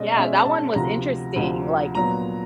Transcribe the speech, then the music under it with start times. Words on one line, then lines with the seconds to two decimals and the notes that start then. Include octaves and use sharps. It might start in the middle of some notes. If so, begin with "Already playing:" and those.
Yeah, that one was interesting, like,
Already playing: B2 G#3 C#4 D5 D#5
0.15 B2 G#3 C#4 E5
0.45 A5
0.75 D2 C3 F3 A#5
1.36 D2 C3 F3
1.95 A#2 F#3 B3 A#5